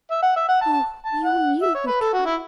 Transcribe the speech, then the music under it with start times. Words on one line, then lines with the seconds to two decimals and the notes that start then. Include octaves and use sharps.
'Oh! we all knew you would come.
0.11 E5
0.22 F#5
0.36 E5
0.48 F#5
0.61 A5
0.73 A5
1.05 A5
1.24 F#5
1.62 E5
1.75 C#5
1.87 B4
2.01 A4
2.13 F#4
2.26 E4